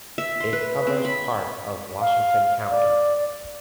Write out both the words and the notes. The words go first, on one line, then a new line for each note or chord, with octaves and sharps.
It covers part of Washington County.
E5
C6
B4
C4
B5
F5
D5